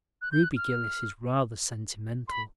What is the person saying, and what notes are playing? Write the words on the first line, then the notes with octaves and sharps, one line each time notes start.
Ruby Gillis is rather sentimental.
F#6
G6
F#6
F6
C6
B5